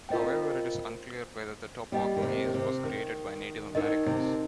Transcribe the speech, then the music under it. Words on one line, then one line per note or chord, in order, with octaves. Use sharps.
However, it is unclear whether the Topock Maze was created by Native Americans.
C4 F4 A#4 D#5 G5
G3 A#3 G4 D#5 G5
D#3
C3
D#3
C3
D#3
D#3 D#4 A#4 D#5
C3